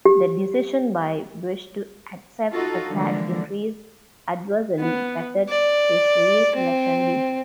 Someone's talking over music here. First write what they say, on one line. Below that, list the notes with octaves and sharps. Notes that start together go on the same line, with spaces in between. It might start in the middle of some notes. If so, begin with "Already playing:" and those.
The decision by Bush to accept a tax increase adversely affected his re-election bid.
G4
D#4 F4 F#4 A4
D3 E3 F3 G3 G#3 A#3
B3
D5
C4